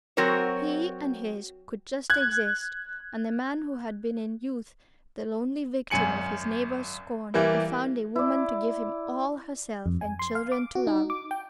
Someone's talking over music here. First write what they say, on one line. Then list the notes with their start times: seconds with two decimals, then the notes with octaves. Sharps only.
He and his could just exist, and the man who had been in youth the lonely victim of his neighbours' scorn had found a woman to give him all herself and children to love.
0.17 F#3 C4 F#4 A#4 C#5
2.10 F#6 G#6
5.90 G#1 F#2 G#5 C#7 F#7
7.34 E3 G3 A#3 E4
8.16 E4 D5
9.86 F2
10.01 G#5
10.19 C6
10.35 F5
10.52 D6
10.75 F#4
10.87 D#4
11.10 D6
11.31 G5